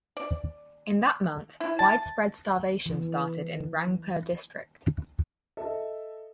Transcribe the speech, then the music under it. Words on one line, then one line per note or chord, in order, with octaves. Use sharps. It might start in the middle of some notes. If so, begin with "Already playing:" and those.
In that month widespread starvation started in Rangpur district.
D5
E4
A5
E3
A4 D#5 E5